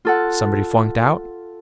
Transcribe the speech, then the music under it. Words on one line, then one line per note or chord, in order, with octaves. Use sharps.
Somebody flunked out?
F4 A4 F#5